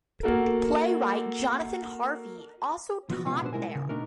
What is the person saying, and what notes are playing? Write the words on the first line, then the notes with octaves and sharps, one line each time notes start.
Playwright Jonathan Harvey also taught there.
A#3 F#4 A4 A#4
F3 B3 F#4
C3 G#3 B3 C#4 F4
B2 D4 G4 B4 C5
G#3 E4 A#4 G#5
C#3
B2 A3 D4 D#4 A#4